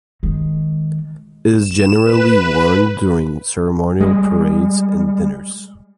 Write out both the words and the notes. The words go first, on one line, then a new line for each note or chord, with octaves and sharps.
It is generally worn during ceremonial parades and dinners.
D#3 G#3
E7
B4
G3 G#3